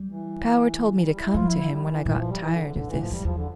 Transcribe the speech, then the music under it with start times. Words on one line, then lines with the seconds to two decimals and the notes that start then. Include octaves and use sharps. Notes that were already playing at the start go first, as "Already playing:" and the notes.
Power told me to come to him when I got tired of this.
Already playing: G3
0.11 E3
1.00 G3
1.17 E4
1.34 F3 F4
1.47 E4
1.58 E4
1.69 G3
1.88 E3
2.05 A#2 E3
2.17 F3
2.29 G3
2.40 E3
2.52 D3
2.64 D3
2.76 A2 D3
2.87 E3
2.93 A2
3.00 F3
3.11 F2 G3
3.24 E2 F3
3.35 D3